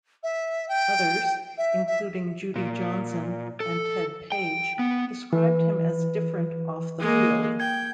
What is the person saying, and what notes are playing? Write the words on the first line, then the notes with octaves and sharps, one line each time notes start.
Others, including Judy Johnson and Ted Page, described him as different off the field.
E5
G5
E5
E5
A#2
A4
G5
B3
E3 B4
G#3 A#3
G5 G#6